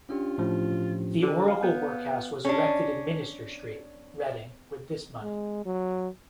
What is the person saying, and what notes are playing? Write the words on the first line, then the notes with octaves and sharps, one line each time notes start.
The Oracle workhouse, was erected in Minster Street, Reading with this money.
C#4 D4 F4 G4
A2 F3
D3
F5
B3 G6
C#4 D4
G#3
F#3